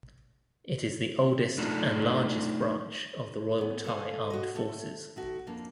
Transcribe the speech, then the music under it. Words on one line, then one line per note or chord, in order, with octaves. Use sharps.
It is the oldest and largest branch of the Royal Thai Armed Forces.
A3 D4 D#4 F4 A4
E3 B3
A4 A#4 D#5 F5 G#5
F#4 D#5
A3 A4
D#3 A3 F#4
F2 F3 A#3 D4